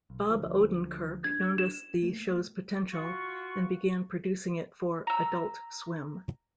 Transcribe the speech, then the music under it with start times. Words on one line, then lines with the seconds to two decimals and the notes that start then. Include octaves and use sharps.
Bob Odenkirk noticed the show's potential, and began producing it for Adult Swim.
0.10 B1
0.31 D2 F3
1.24 D4 G#6
1.58 E7
2.02 A3 A#3
2.92 F4 F#4 C#6
5.07 A#5 E6